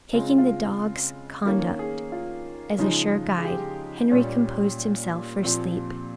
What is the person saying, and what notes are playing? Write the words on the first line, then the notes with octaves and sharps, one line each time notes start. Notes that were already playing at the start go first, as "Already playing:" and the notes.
Taking the dog's conduct as a sure guide, Henry composed himself for sleep.
C#3 G#3 C4 F4
F4
D#3 A#3 C#4
G#4
F4
C#3 F3 G#3 D#4
G#4
G4
A#2 G3 C#4
A#2 F3 C4